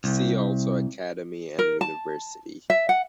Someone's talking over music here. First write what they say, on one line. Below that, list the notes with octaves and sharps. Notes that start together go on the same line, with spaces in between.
See also academy and university.
C2
A#4
A5
E5
F#5